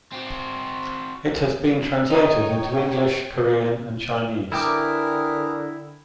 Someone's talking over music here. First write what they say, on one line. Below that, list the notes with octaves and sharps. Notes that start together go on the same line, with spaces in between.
It has been translated into English, Korean, and Chinese.
C4 F#4
D#4 C#5 G5
D3 E4 G#4 A#4 B4 G5 D6